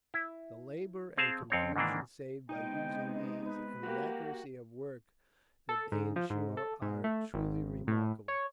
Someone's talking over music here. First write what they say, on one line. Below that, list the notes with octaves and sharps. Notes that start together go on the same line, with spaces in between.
The labour and confusion saved by using these, and the accuracy of work that they ensure, are truly remarkable.
E4
C4 G#4 F5 G#5 A5
F2 C4 C#5
G#2 D#3 E3 A#3 D4
C3 G#3 B3 D#4 G5
B4
A#3 F#4 G4
A4
G#2
F3
G#2
A4
G#2
A3
G#1
A2
C#5